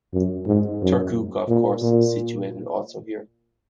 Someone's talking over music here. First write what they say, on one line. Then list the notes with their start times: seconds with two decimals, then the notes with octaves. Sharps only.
Turku golf course is situated also here.
0.13 F#2
0.47 G#2
0.82 F#2
1.48 A#2
1.82 A#2